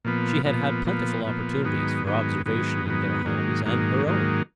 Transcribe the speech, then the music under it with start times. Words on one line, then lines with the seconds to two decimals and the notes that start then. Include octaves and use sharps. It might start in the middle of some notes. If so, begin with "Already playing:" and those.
She had had plentiful opportunities for observation in their homes and her own.
0.05 A#2 F3 B3
0.45 A#2 F3 B3
0.85 A#2 F3 B3
1.25 A#2 F3 B3
1.65 G#2 D#3 F#3 B3
2.05 G#2 D#3 F#3 B3
2.46 G#2 D#3 F#3 B3
2.85 G#2 D#3 F#3 B3
3.26 G#2 D#3 F#3 A#3
3.66 G#2 D#3 F#3 A#3
4.06 G#2 D#3 F#3 A#3